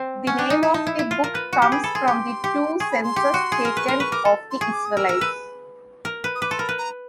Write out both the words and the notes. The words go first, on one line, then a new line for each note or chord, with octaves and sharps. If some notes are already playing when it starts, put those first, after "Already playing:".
The name of the book comes from the two censuses taken of the Israelites.
Already playing: C4
C#4 F#5
D4 G5
D#4 G#5
E4 A5
A#5
D#4 A5
E4
E4
F4
A#4
B4
F#4
G4
G#4 B5
A4 B5
G#4 C6
G4
G4
G#4 C#6
B5
C6
G4
F#4
G#4
A#4
B4 C#6
A#4 C6
B4 C#6
A#4 D6
A4
C6
G#4 C#6
D6
D#6
A#4 E6
A#4
B4
A#4
B4
D#6
B4 D6
A4 C6
A#4 B5
B4
A#5